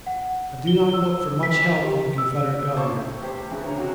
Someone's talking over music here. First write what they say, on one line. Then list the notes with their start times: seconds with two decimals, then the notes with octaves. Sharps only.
I do not look for much help from the Confederate Government.
0.07 F#5
0.67 G7
0.94 E6
1.43 B6
1.83 G4
2.18 E6
2.77 C5 A5 C#6 D6
2.92 A2 A4
3.21 E2 G4 C5
3.51 C#3 E3 G#4
3.64 D2 C#5 A#5
3.78 C3 F#4